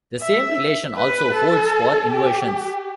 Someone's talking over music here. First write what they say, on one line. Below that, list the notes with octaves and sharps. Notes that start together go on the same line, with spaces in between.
The same relation also holds for inversions.
E5
B4
A4
G4